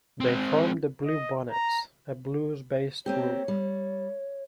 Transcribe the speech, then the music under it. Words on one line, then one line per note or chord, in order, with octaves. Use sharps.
They formed the BlueBonnets, a blues-based group.
G#3 C4
D#5
A#5
A#3 C4 G4 C#5
G3